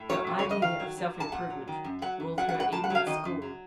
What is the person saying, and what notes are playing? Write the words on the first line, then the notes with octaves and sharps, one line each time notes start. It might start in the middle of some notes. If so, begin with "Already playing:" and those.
Her idea of self-improvement ruled her even at school.
Already playing: A2
F#3 C#5
C3
C#5
F2
D#5
D#3 F5
F#3
F#3
A#2
A5
A#2 F#5
F#3
D#3
F#2
F#3 F#5
F#2
F#3 F#5
F#5
A2
F#5
A2 A5
F#5
F#3 F5
D#3 D#5
F#2
F#3